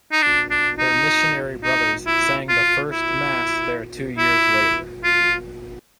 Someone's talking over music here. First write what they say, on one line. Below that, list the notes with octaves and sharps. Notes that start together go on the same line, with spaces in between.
Their missionary brothers sang the first Mass there two years later.
D#4
D4
D4
D#4
D#4
E4
F4
E4
E4
F4